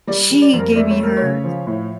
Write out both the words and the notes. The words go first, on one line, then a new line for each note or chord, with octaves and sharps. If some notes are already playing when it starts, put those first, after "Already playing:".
she gave me her
G3 D5
G3
D5
F2
A#4
A3 D5
C#5
A3 A#4
C#5
C#3
F3
A2